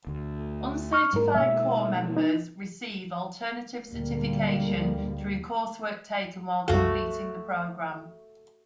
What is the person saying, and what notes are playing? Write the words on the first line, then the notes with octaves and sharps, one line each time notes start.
Uncertified corps members receive alternative certification through coursework taken while completing the program.
D2
C#6 F6
G#2 F#3 G#3 A#4
B2 G#3 A#3 E5
D#4
D2 A#2 D3 G3 G#3 A#3
C2 F#2 A3 F#4 F5